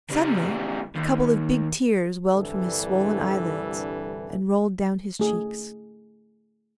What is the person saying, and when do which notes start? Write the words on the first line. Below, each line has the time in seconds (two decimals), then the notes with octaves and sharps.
Suddenly a couple of big tears welled from his swollen eyelids, and rolled down his cheeks.
0.10 C#3 G3
0.95 D#2
2.33 C2 G2 D3 E3 G3 A4
5.20 A3 G#4